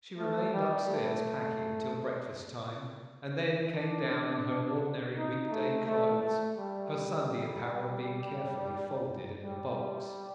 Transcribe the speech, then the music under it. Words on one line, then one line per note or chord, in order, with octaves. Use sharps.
She remained upstairs packing till breakfast-time, and then came down in her ordinary week-day clothes, her Sunday apparel being carefully folded in her box.
A3
G3
A3
D4
D#4
A3
A3
A3
G3
G3